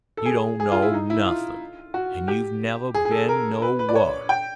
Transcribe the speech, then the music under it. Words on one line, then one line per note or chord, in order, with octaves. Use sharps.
You don't know nothin', and you've never been nowhars.
A4
G#4
G#4
F4
E4
D#4
E4
F4
F#4
G4
G#4
G#4
A4
A#4
B4
B4
D5
C#5
G5